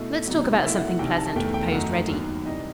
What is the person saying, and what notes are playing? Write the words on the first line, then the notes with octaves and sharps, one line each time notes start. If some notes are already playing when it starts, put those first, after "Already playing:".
"Let's talk about something pleasant," proposed Reddy.
Already playing: B2 A3 E4 D#5
C3 F#3 B3 D#4
B2 A3 E4 E5
F#5
F#5
C2 C3 D#3 G5
A5
E2 D#3 A3 G5
G5
F#2 D#3 A3 D#4 F#5
D#2 D#3 F#3 B3
C3 E3 G3 D#4 D#5